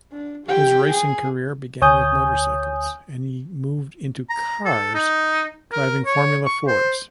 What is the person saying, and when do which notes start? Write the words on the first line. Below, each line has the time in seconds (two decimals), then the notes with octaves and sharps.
His racing career began with motorcycles and he moved into cars driving Formula Fords.
0.12 D4
0.46 G4 G5
0.91 G#4
1.81 D2 C#5 G#5 D#6 G6
4.30 A#5
4.65 A4
4.94 D#4
5.72 A#4
6.05 C#5
6.45 C#6
6.67 C5